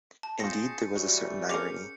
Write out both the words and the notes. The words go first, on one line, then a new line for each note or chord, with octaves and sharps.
Indeed, there was a certain irony.
A5
C4 F4 G#4 A5 C#6 G6 A#6 C#7
E3 F#3 G3 A3
C#4 G#4 A#4 D6 C#7 F7